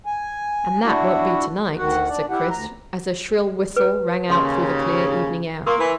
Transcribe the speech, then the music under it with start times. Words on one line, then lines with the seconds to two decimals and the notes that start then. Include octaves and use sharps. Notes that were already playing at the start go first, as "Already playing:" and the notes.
"And that won't be to-night," said Chris, as a shrill whistle rang out through the clear evening air.
0.06 G#5
0.85 D4 E4 F#4
1.78 D2 D#3 F#4 F#5
2.09 D4 D5
2.30 E4 G4 F#5
2.51 D2 A#5
3.77 B4
4.30 D#2 C#3 F5 C6
5.67 A#3 A#4 C6 C#6
5.79 E3 E4